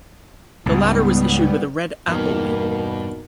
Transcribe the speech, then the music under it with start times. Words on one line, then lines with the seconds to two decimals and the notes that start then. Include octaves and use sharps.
The latter was issued with a red Apple label.
0.66 C#2 G#2 G3 B3
2.08 E2 G2 B2 A#3 D#4 A#4